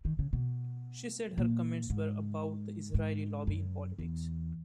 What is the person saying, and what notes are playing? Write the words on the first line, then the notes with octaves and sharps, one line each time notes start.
She said her comments were about the Israeli lobby in politics.
D#3
C#3
B2
A#2
G#2
G#2
F#2
E2